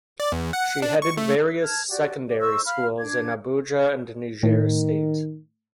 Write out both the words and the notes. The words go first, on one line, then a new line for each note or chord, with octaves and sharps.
She headed various secondary schools in Abuja and Niger state.
D5
E2
F#5
D4
C#6
A3
A5 F6 G#6
F#4 G4 D5
G4 D5
C5 D#5 C#6 E6
F5 B5 F6
D4 D6 G#6
A2 D#3